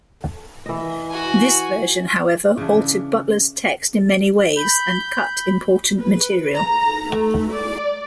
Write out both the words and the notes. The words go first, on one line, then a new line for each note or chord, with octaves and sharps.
This version however altered Butler's text in many ways and cut important material.
E3 D#5
F#4 G#5
C#3 E3 D4
B5 G6
B4
A#5
A3
D5